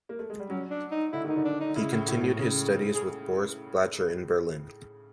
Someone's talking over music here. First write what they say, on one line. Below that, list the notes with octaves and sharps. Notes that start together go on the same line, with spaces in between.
He continued his studies with Boris Blacher in Berlin.
A#3
A3
G#3
G3
F#3 C#4
D4
D#4
D3 E4
D#3 D#4
D3
D4
D#4
C#3 E4
A2
A2
A2
C#3
G#4